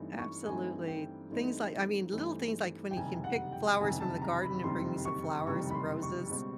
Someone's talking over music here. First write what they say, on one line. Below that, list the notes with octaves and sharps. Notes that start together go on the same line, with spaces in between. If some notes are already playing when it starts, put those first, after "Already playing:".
Absolutely. Things like I mean, the little things, like, when he can pick flowers from the garden and bring me some flowers and roses,
Already playing: G2 E3 A3 C4 D#4
C#6
G2 E3 A3 C4 D#4 G#5
G5
G2 E3 A3 C4 D#4
G2 E3 A3 C4 D#4
G5
F#1 F2 C3 D#3 G3 G#5
F#5
G5
F#1 F2 C3 D#3 G3 G#5
A5
A#5
B5
F#1 F2 C3 D#3 G3 C6
C#6
F#1 F2 C3 D#3 G3 C#6
B5
C6
C#6
C#2 B2 G3 C4